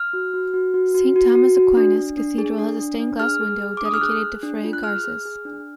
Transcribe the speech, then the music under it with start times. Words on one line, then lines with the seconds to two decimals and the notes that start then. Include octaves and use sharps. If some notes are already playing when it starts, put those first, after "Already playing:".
Saint Thomas Aquinas Cathedral has a stained glass window dedicated to Fray Garces.
Already playing: F6
0.13 F#4
0.34 F#4
0.54 F#4
0.74 F#4
0.94 F#4
1.16 F#4
1.35 F#4
1.56 F#4
1.77 D4
1.97 D4
2.18 D4
2.38 G#4
2.58 D4
2.79 D4
3.00 D4
3.20 G#4 F6
3.40 G#4
3.60 G#4
3.77 D6
3.82 D4 D#6
3.94 F6
4.01 G#4 F#6
4.22 G#4
4.43 D4
4.64 F4
4.73 F#6
4.84 G#4 F6
5.04 G#4
5.25 G#4
5.45 D4